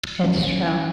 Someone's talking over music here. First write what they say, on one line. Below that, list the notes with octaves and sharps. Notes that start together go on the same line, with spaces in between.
It's true.
D#3 F#3 C#4